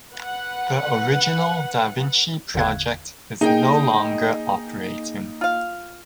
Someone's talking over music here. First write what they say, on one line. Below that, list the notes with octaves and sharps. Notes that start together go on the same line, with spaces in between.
The original da Vinci Project is no longer operating.
B4 F#5
G#1 E2 D3 F5 F#6 G#6
A#3 D#4 G#4 D#5 G5
F4 F5